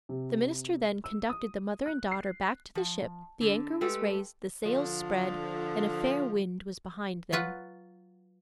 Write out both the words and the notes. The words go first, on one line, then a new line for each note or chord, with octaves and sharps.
The minister then conducted the mother and daughter back to the ship; the anchor was raised, the sails spread, and a fair wind was behind them.
C3
E6
D#6
F#6
C7
F3
D3
G#3 A3 G4 A4 B4
D3 F3
F#3 F4 B4 F#5